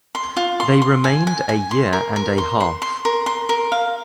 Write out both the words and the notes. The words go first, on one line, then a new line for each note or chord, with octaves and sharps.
They remained a year and a half.
C6
F4
C6
C6
G#5
G#5
G#5
C6
A#4
A#4
C6
C6
C6
A#4
C6
A#4
F5